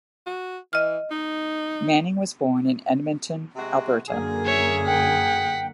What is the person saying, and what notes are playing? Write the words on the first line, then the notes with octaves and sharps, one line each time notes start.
Manning was born in Edmonton, Alberta.
F#4
E3 D#5 F6
D#4
C3 G#3 F#4
F#2 D3 A#3 G#4
C#5 E5
F#5 G5 B6